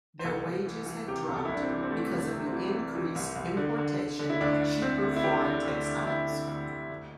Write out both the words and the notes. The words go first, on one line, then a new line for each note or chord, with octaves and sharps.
Their wages had dropped because of the increased importation of cheaper foreign textiles.
C5
C2 A4
C2
E3
E3
C3 G4
C2
A4
C2 E4
D4
C4
E3
C4
E3 A3
C2
A3
C3
C4
E3
E3
E3
C2
C2
D3
D3
D3
D3
E4
D2 D4
D2
D2 C4
D2
E4
D3 G4
D3
D2
D3
D2 E4
D3
D2
D2
D2